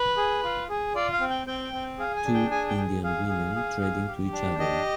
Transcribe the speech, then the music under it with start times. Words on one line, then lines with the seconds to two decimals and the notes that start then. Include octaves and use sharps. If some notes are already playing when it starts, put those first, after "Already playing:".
Two Indian women treading to each other.
Already playing: B4
0.17 G#4
0.43 F4
0.69 G#4
0.95 F4 D5
1.12 F5
1.20 C4
1.30 G5
1.47 C4 G5
1.73 C4
1.99 G#4 F5
2.16 G#5
2.25 D4
2.34 G5
2.51 G#4 G#5
2.69 G5
2.77 G#4
3.04 G#4 F5
3.29 G#4
3.55 G#4
3.81 G#4
4.07 G4
4.33 D4
4.59 G4 D#5